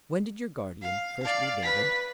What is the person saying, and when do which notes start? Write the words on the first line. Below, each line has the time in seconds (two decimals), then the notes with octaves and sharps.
"When did your guardian first leave England?"
0.82 F5
1.21 D5 F5
1.63 B4 B6